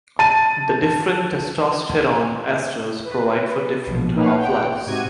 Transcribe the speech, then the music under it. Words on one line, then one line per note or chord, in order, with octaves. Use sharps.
The different testosterone esters provide for different half lives.
A5 D#7
B4
A#1 B2 F3
A#3 D#4 B4 C#5 F5 F#5
F#5 G5
G#2 C3 F#4 G4 G#6 D#7